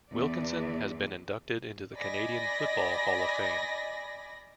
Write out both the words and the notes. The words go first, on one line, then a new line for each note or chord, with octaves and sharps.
Wilkinson has been inducted into the Canadian Football Hall of Fame.
E2 B3 D5
D5 D#5 G#5 B5 A#6